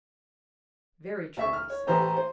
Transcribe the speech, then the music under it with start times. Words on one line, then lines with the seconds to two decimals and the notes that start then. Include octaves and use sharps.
Very true, he said.
1.37 D2 E5 C#6
1.53 F6
1.70 C#5
1.87 A1 E3 G4 C5 A#5
2.16 C5